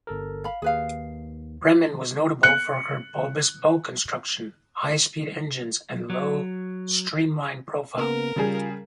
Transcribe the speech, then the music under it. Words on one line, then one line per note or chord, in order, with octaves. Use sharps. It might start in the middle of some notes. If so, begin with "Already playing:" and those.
"Bremen" was notable for her bulbous bow construction, high-speed engines, and low, streamlined profile.
G1 A4 A#4
F5 B5
D#2 G#4 B4 F5
F#6 C#7
F#3
C#3 A#3 B3 A#4
C#3 G3 F4 G#4